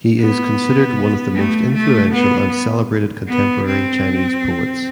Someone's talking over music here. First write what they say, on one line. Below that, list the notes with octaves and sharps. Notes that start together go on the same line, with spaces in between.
He is considered one of the most influential and celebrated contemporary Chinese poets.
B3
A3
A3
B3
B3
C4